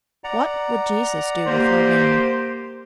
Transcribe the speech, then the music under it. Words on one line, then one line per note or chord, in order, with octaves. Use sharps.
"What would Jesus do with Loreen?"
D5 F#5 A#5
A#3 G4 C5